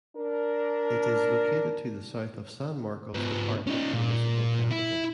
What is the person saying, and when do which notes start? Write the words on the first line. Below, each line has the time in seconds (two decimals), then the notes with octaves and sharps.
It is located to the south of San Marcos Department municipal capital.
0.16 D4 A#4
3.14 G#2 B3
3.67 C#4 D#4
3.93 A#2
4.71 E4